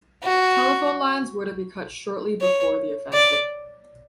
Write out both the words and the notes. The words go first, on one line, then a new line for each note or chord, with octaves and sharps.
Telephone lines were to be cut shortly before the offensive.
F#4
C#5
D5